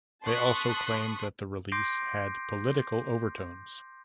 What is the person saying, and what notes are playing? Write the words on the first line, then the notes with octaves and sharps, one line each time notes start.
They also claimed that the release had political overtones.
A5 C6 C#6 D#6 F#6 B6
C6 D6 G6 A#6 C7 D7